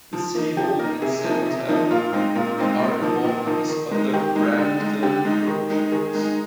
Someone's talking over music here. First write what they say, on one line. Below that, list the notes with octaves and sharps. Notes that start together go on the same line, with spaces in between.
The City Hall and Cenotaph are among his other Brampton projects.
F3
A#3 D#4
F3 G4
A#3 D#4 A#4
C3 G#4
F3 A#3 D#4
C3
F3 A#3 D#4
A#2 F4
G#3 C4 D#4
A#2 F4
G#3 C4 D#4
A#2
F3 A#3 D#4
A#2
F3 A#3 D#4
D#3
G#3 D#4
D#3 G4
G#3 D#4
D3
G#3 D#4
D3 G4
G#3 D#4
D#3
G#3 D#4
D#3 G#4
G#3 D#4